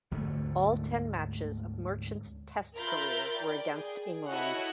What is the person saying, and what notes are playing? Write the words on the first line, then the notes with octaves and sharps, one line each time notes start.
All ten matches of Merchant's Test career were against England.
D2 G#2 D3 A3
F4 A#4 E5 B5 G6 A6
D5 G5
G#4
E4 F#4 A4 C#5 D#5 F#5